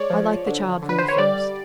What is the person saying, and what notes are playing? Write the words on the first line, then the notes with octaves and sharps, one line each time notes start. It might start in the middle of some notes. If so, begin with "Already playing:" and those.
I liked the child from the first.
Already playing: G#3 C#5 D5
F3
D3
D3
B4
C5
C#5
G3 D5